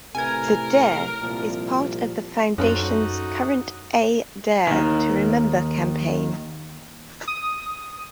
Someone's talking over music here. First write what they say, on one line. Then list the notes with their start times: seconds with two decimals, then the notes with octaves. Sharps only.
The "dare" is part of the foundations current A Dare to Remember campaign.
0.15 A2 C3 A#4 B4 G#5 G#6
1.21 C2 A#2 F3
2.58 F#2 C#4 D#4 F#4 A4 C5
4.67 D#2 D#3
7.27 D#6